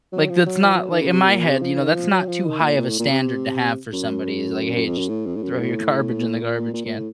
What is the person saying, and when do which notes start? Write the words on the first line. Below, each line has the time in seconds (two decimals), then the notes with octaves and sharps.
like that's not like in my head, you know, that's not too high of a standard to have for somebody is like, "Hey, just throw your garbage in the garbage can."
0.12 F#3
0.29 F3
0.46 F#3
0.63 F3
0.74 F3
0.80 F#3
0.90 D#3
1.01 C#3
1.12 C3
1.28 A#2
1.45 C3
1.62 F3
1.79 D#3
1.94 F3
2.11 F#3
2.27 F3
2.45 D#3
2.61 A#2
2.78 A#2
2.89 A2
2.99 A#2
3.10 C3
3.93 F#2
4.76 F#2
4.86 F2
4.98 F#2
5.09 A2
5.26 F2
5.36 A2
5.43 F#2
5.59 A2
6.42 A#2
6.74 A#2
6.85 A#2
6.97 A2